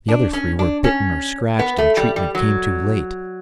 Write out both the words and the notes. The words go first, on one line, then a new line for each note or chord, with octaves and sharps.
The other three were bitten or scratched and treatment came too late.
D4
C#4
D4
C#4
B3
A3
G3
G3
F#3